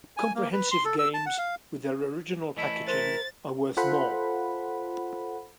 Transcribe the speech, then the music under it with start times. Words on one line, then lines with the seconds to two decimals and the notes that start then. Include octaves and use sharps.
Comprehensive games with their original packaging are worth more.
0.17 G#5
0.35 A#3
0.53 B4
0.71 C6
0.85 A4
0.99 E6
1.14 A5
1.26 F#5
1.38 F5
2.57 E3 A3 E4 D#5
2.88 A#4 C5 C6 A6
3.77 F4 A4 C5 F#5 B5